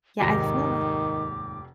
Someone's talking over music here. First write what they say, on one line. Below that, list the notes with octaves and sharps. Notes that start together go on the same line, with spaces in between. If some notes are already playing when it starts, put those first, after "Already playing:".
Yeah, I feel like
F1 D#2 G#2 D#3 G4 D6 A#6